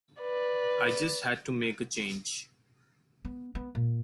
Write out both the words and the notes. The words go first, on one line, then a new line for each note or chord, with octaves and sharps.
I just had to make a change.
B4 D5
B3
B3
A#2